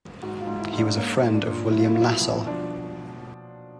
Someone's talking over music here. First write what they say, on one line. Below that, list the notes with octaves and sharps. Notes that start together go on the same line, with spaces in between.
He was a friend of William Lassell.
G#2 F#4
F4
G#2
E4
G#2
D4
A#3 C#4
A#2
D4
A#2
F#3 E4
F4
E4
F#3 F4
E4
F4
B2 E4
F3 D4